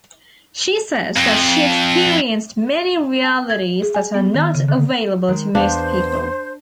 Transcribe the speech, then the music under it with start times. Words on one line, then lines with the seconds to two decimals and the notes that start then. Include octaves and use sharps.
She said that she experienced many realities that are not available to most people.
1.17 F2
3.23 A5
3.50 G#6
3.82 G#4
3.95 G#5
4.14 B3
4.35 D#3
4.55 C#3
4.69 D3
5.29 D#3 G#3
5.55 E2 B3 D4 C5 F5